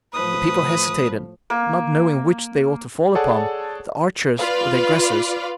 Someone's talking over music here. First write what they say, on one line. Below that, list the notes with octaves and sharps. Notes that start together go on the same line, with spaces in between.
The people hesitated, not knowing which they ought to fall upon, the archers or the aggressors.
A2 F3 B4 D#6
A#3
G#4 A4 C#5 D5 F#5 A5
F4 B4 D5 F5